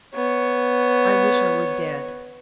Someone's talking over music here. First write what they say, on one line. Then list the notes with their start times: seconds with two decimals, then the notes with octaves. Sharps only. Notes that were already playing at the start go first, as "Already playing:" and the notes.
I wish I were dead.
0.14 B3 C#5